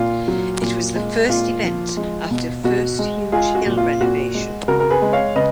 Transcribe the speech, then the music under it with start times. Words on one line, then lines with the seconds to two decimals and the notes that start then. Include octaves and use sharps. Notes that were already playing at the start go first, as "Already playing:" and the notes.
It was the first event after first huge hill renovation.
Already playing: A#2 F4
0.28 F#3
0.61 A#2
0.96 G#3
1.29 A#2 F4
1.63 F3
1.97 G#3
2.31 B2
2.64 B2 F#4
2.99 G#3
3.32 G#3 F4 G#4
3.55 F#4
3.66 A#2
3.77 F4
4.01 A#2 F#4
4.34 G#3
4.68 C#3 F#4 A#4
4.80 A#4
4.90 G#4 B4
5.02 G#3
5.13 C#5 F5
5.36 C#3 B4 D#5